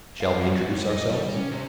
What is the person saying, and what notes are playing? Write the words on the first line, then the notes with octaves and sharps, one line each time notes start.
Shall we introduce ourselves?
F5
F#2
F#4
G3
D#5
G3
C#4
C3